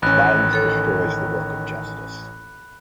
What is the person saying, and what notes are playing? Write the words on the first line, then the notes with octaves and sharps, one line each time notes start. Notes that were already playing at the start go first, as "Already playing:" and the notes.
Violence destroys the work of justice.
A1 D#3 C#4 B5 F#6
A4 C#5